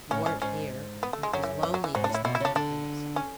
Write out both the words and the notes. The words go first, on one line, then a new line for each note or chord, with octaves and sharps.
'You weren't here, and it was lonely these long evenings.
A2 C#4
G#2 C#4
G#2 C#4
B3
A3
G#3
F#2 F#3
E3
E3
F#3
E3
G#2 F#3
D4
A2
E4
B2 E4
E4
C#3 D4
D3 D4
C#4